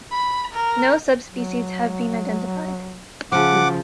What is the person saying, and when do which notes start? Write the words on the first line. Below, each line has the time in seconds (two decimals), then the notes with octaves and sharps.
No subspecies have been identified.
0.11 B5
0.53 A#4
1.28 F#3
3.32 C#3 F3 F#5 D6